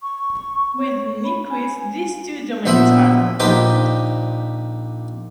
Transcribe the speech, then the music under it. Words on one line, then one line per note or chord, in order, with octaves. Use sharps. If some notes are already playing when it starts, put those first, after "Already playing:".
With Nyquist these two domains are combined.
C#6
C#5
B5
G#5
A#1 B3 C5 E5 B5
A#1 D#4 G4 B4 C5 D6